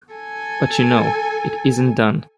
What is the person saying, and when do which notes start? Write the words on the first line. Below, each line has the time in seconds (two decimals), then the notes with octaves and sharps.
But you know, it isn't done.
0.15 A4 G#5